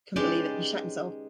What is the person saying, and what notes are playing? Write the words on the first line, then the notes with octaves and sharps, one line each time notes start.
I couldn't believe it, he shat himself!
G#3 C#4 D#4 G4 B4 D5